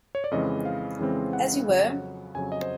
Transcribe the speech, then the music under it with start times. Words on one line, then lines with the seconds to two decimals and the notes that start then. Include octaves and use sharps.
As you were!
0.15 C#5
0.24 D5
0.31 F2 C#3 E3 G#3 C4 D#5
0.65 F5
0.99 F2 C#3 E3 G#3 C4
1.33 F#5
1.67 F2 C#3 F#3
2.35 F2 C#3 F#3 G#5
2.52 D#5
2.61 C5